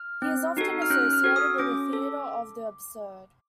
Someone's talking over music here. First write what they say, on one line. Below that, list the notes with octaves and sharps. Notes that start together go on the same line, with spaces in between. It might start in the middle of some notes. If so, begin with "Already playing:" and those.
He is often associated with the Theatre of the Absurd.
Already playing: F6
C4
D#4 F#4 A4
F6
C#4 F#6
F6
F#4 A4
D#6
C#4 D6
A4